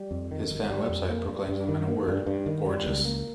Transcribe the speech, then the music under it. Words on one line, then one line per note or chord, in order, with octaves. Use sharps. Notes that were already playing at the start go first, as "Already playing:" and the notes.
His fan website proclaims him in a word, gorgeous.
Already playing: G3
F2
D#3
G1
G3
F2
A#3
G2
G2
D#3
A#3
G2
G2
D#3
G3
C#2
A#3